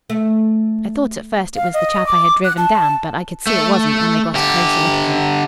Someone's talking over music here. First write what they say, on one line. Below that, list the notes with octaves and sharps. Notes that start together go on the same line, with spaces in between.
I thought at first it was the chap I had driven down, but I could see it wasn't when I got a closer look at him.
A3
F5
D#5
D6
F#6
A5
A3
D3 G4